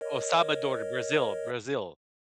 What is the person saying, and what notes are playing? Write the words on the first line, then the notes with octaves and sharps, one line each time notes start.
Oh, Salvador, Brazil. Brazil.
A#4 C#5 D#5